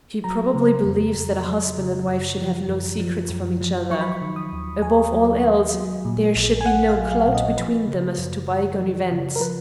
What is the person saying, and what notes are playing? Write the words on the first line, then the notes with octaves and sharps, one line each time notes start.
She probably believes that a husband and wife should have no secrets from each other. Above all else, there should be no cloud between them as to bygone events.
F#3 A#5
C#3
F2
F2
F#3
C#3
F#2
F3
F#2
F3
F#2
F3
F#3 C#6
B5
C#6
D#3
D#6
D#2
D#2 G#5
F#3
D#3
F#3
A#2
A#1
G#5
A#1 F#5
F5
F#3
F5
A#2
D#5
F3 B4
C#3
F#2
F#2
F3
C#3
A#4
F3 B4